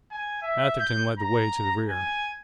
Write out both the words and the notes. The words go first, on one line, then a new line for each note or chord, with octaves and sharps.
Atherton led the way to the rear.
G#5
E5
G6
A#5
G#5